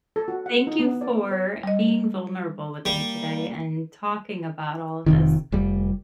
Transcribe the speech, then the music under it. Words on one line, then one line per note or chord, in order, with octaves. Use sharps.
thank you for being vulnerable with me today and talking about all of this.
A4
F#4
F#5
D#4
B3
D5
C#5
G3 D#5
G3 A#3
F1 C3 D#3
F1 G3